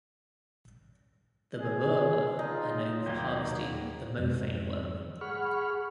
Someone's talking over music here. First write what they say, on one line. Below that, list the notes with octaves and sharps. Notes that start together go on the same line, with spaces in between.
The babirwa are known for harvesting the mophane worm.
G#4
D#4 F4
D#2 F#3 A#3 G4
F2 G#2
G#4 F#5 B5 C#6 F6